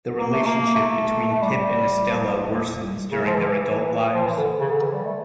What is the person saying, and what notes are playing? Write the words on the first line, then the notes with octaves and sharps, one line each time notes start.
The relationship between Pip and Estella worsens during their adult lives.
A#3
A3
A#3
A3
A3
G3
F3
G3
F3
C#3
F3
E3
F3
E3
D3
C#3
D3
E3
G3
A3